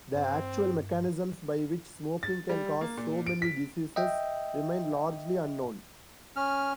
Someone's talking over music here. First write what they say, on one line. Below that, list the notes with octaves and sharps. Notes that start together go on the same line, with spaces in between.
The actual mechanisms by which smoking can cause so many diseases remain largely unknown.
G2 C4
A6
G3
A#3
A#2
D7
B6
D#5 E5 G5
C#4 F6